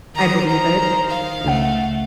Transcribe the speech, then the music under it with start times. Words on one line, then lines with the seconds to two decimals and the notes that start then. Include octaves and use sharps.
I believe it.
0.15 D#3 C5 A#5 D#6
0.49 A#5
1.10 F5
1.45 C#2 C#3 A3 F#5